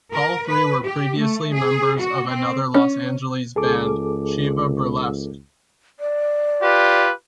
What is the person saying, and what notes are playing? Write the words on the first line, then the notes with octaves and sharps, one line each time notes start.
All three were previously members of another Los Angeles band, Shiva Burlesque.
A#4
B4
G4
A3
G#4
F#4
C4
C#4
C#2 G#4 A4 D6
D5
F4 G4 B4